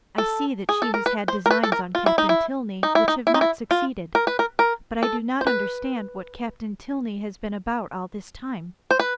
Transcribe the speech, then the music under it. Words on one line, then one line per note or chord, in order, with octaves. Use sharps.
I see that she has had designs on Captain Tilney, which have not succeeded; but I do not understand what Captain Tilney has been about all this time.
A4
G#4
A4
A#4
B4
C5
A#4
B4
A4
A#4
F4
E4
D#4
E4
D#4
E4
D#4
E4
D#4
E4
F4
A#4
B4
A#4
A#4
A4
C5
B4
C5
B4